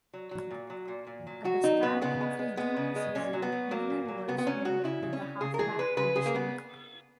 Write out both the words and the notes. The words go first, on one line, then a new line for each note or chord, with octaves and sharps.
At the start of his junior season, Mili was moved to the half-back position.
F#3
F#3
A#2
F#3
A#2
A#2
F#3
F#3 F#4
F#3 D#4
A#2 B3
C#3 B3
G#3
G#3
G#3 B3
C#3
G#3
A#2 C#4
F#3
B3
F#3
F#3 A#3
A#2
F#3
C#3 B3
B3
F#3 C#4
C#3 F#4
C#3 E4
C#3
C#4
C#3
C#3 G#4
A#4
E3 G#4
G#3 B4
C#3 B4
C#3 G#4
A#3
C#3 B3